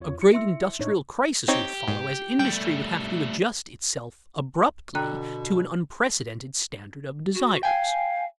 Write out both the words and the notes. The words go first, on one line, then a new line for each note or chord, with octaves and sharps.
A great industrial crisis would follow, as industry would have to adjust itself abruptly to an unprecedented standard of desires.
E2 F4 C#5
E4 C#7
E5 C6 E6
A2 D4 D#4 C#5
C4 D#4 G4 C#5
G#2
G3 A3 G5
B2 D3 G5 A#5 F#6
F#4
F5 G5 G#5